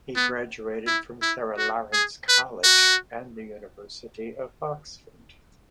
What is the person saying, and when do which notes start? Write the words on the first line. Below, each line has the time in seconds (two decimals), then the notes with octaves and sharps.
He graduated from Sarah Lawrence College and the University of Oxford.
0.16 B3
0.87 E4
1.22 E4
1.58 F#4
1.93 G#4
2.29 B4
2.64 F#4